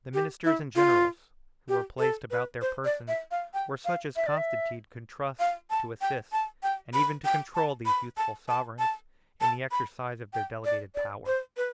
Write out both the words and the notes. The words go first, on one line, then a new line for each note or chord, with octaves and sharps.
The ministers and generals, who were placed about their persons, were such as Constantine could trust to assist, and even to control, these youthful sovereigns in the exercise of their delegated power.
G4
E4
F4
G4
A4
B4
C5
D5
E5
F5
G5
F5
E5
D5
E5
F5
A5
G5
A5
G5
B5
G5
A5
B5
A5
A5
A5
A5
B5
G5
D5
D5
C5
B4